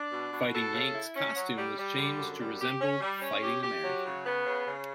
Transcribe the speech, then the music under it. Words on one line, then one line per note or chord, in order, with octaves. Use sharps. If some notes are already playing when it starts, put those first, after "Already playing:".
Fighting Yank's costume was changed to resemble Fighting American.
Already playing: D4
B2
B2
A4
C#3
E4
C#4
F#3
G3
G3
D3
F#2
G3
G4
C#4
G3
C#4
G4
G4
F#3
C#3
B3
C#3
C#3